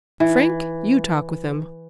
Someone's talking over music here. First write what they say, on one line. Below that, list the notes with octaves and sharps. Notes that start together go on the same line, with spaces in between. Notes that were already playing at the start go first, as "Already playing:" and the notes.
Frank, you talk with him.
E3